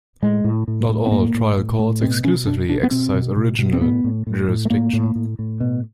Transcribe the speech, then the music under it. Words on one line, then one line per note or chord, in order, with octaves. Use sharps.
Not all "trial courts" exclusively exercise original jurisdiction.
A2 G#3
A2
A2
A2
B3
A2 A#3
A2
A2
A2
B2 C4
B2 C#4
B2 D4
B2 D4
B3
B2 C4
B2
B2
B2
C4
A2 B3
A2
A2
A2
A3
A2 A#3
A2
A2
A2
B2